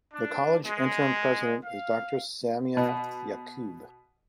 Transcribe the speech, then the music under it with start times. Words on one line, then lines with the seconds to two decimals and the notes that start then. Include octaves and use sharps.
The college interim president is Doctor Samia Yaqub.
0.13 D4
0.66 G#3
1.64 F5
2.77 B2